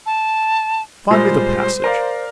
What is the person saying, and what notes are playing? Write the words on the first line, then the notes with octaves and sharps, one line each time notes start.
Find me the passage.
A5
A#2 G3 G#3 C5
A#4 D5 F5